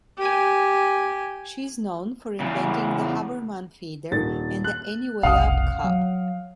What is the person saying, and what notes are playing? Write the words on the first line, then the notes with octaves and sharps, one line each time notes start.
She is known for inventing the Haberman Feeder and the Anywayup Cup.
G4 G#5
E2 C#3
D#1 D#3 A6
F#6
F1 B1 C#4 F5 F#5 D#6
F#3